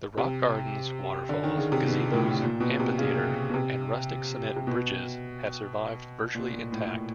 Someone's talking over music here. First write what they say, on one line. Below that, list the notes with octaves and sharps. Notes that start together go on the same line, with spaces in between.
The rock gardens, waterfalls, gazebos, amphitheater and rustic cement bridges have survived virtually intact.
C3
D3
D#3
C#3
C3
B2
A2
A#2
B2
C3
C#3
B2
C3
C3
B2
A#2
A#2
A2